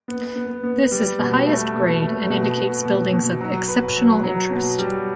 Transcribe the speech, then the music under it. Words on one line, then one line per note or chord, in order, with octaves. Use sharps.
This is the highest grade and indicates buildings of "exceptional interest".
B3
B3
B3
G3
B2
A3
B2
A3
B2
B3
B2
B2
F#3
B4
F#3
F#3
B2
G3